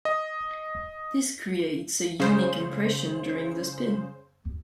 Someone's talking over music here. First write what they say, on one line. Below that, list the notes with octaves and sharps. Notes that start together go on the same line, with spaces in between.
This creates a unique impression during the spin.
D#5
C#3 C5